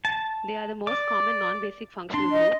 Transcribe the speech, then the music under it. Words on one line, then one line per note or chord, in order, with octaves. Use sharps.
They are the most common non-basic functional group.
A5
D5 D6
D4 C6
D#5